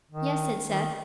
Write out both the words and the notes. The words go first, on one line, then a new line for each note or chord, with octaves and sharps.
"Yes," said Seth.
D#3
D#3